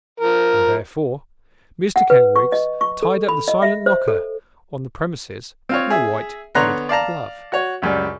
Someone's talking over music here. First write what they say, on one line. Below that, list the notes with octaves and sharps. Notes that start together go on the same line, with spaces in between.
And, therefore, Mr Kenwigs tied up the silent knocker on the premises in a white kid glove.
F3 A#4
F#5
B4
C#6
D#5
C#6
A4
B5
D#5
E5
C5
A4
C4 F4 C#5
G#4 E5
D3 B3 C#5 A#5 C6 F#6
D5 F5 A5 A#5
F#4 C#5
C#2 F#2 G3